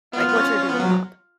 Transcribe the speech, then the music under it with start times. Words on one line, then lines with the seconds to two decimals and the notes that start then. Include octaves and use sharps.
Like, what's your dream job?
0.13 B3 F4
0.28 B3
0.36 C#4
0.58 C#4
0.69 B3
0.80 F#3